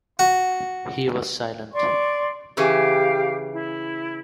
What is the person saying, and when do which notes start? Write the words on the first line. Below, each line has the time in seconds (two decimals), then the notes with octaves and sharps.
He was silent.
0.19 F#4
1.72 D5 C6 C#6
2.57 C#3 E3 C#4 G4 F5
3.52 E4